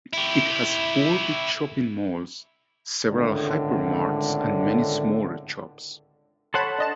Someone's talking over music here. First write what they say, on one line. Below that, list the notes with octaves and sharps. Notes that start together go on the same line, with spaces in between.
It has four big shopping malls, several hyper-marts and many smaller shops.
E4 G4
G#1 C#2 A2 D3
A4 C5 C#5 F#5 A5 B5
D4 D#5 A5